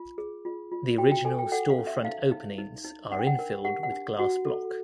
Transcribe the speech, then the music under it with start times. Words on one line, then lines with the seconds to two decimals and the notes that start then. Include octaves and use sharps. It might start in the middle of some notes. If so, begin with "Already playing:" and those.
The original store front openings are infilled with glass block.
Already playing: F4
0.18 G#4
0.45 F4
0.72 F4
0.98 F#4 G5
1.12 G5
1.25 A4 G#5
1.39 G5
1.52 A4 F#5
1.70 F5
1.78 C#4
1.87 E5
2.04 D#4 F5
2.32 D#4
2.58 D#4
2.85 D#4
3.11 D4 F#5
3.19 G5
3.27 F#5
3.39 A#4
3.65 G4 F#5
3.83 F#5
3.92 D4
4.19 F#4 F#5
4.45 A4